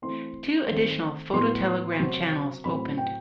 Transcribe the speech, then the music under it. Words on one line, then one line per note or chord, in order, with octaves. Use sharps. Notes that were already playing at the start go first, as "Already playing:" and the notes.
Two additional phototelegram channels opened.
E3 A3 C4 C6
D#3 A3 C4
A2 F#3 B3 C6
C3 F#3 C4
A2 F#3 C4 B5
G5